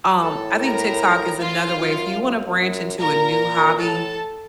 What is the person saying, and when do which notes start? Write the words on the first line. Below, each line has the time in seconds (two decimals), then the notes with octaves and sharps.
um, I think TikTok is another way if you wanna branch into a new hobby,
0.20 A2 A4 A5
0.60 A#4 A#5
1.39 A2 F4 F5
1.79 F#2
2.59 F#2
2.99 A#2 A#4 A#5
3.78 A2 A4 A5